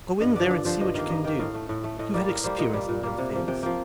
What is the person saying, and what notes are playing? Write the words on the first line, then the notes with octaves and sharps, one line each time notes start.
"Go in there, and see what you kin do. You've had experience in them things."
G2 D#5
D3 F3 D5
G2 D5
D3 F3 C5
G2 D#5
D#3 A#3 F5
G2 D#5
D#3 A#3 G5
A2 F5
A3
A2
A3
A2 D#5
G3 A#3 D5
A2 A#4
G3 A#3 C5
A#2 D#5
G3 A#3
A#2
G3 A#3
C3
F3 A#3
C3 G5
F3 A#3 G5